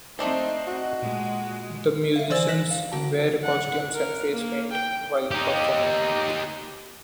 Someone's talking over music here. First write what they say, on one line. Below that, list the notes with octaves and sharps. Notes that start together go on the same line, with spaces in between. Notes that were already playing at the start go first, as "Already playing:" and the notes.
The musicians wear costumes and face paint while performing.
A3 C4 D4 D#4 C5 D#5
F#4
A#2 G#3
E5 F5
E3 C5 D5 G#5 E6 A6
F#6 A#6 B6 E7 F#7
F5
D3 F#4 A5
F#5
A#4
A#3
G5
D#4 G4